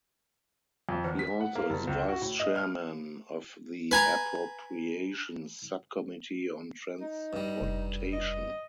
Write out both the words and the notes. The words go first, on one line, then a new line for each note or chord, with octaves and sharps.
He also is vice-chairman of the Appropriations Subcommittee on Transportation.
F2
E2
B6
F#5
A#3
F#1
C#2
F#4
A2
D#5
F6
B4 G#5 A#5
D#4
G2 G3
F1
D#5